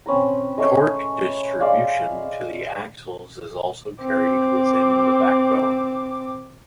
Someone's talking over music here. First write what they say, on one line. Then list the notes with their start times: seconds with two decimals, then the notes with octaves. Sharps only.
Torque distribution to the axles is also carried within the backbone.
0.06 C4 C#4 B4 A#5
0.57 G#3 A3 C#4 G#4
1.60 G#3 D5 E5 F5
4.03 C4 D6